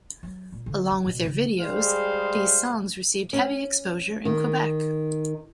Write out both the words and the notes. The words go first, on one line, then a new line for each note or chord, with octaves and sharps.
Along with their videos, these songs received heavy exposure in Quebec.
F#3
A#2
D3
E4
B2
C#3
G3 G#3 G#4 C5 F5
C#4
D#3